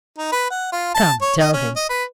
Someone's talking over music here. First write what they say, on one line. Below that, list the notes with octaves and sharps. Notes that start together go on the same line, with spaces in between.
Come, tell him.
D#4
B4
F#5
F4
A5
C#5
D#5
C#4
D#5
B4